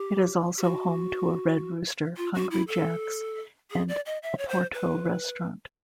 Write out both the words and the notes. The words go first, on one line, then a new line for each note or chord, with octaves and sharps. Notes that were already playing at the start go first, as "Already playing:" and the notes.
It is also home to a Red Rooster, Hungry Jacks and Oporto Restaurant.
Already playing: G4
G4
F#4
F4
F#4
E4
A4
G#4
D5
D#5
E5
C#5
C5
B4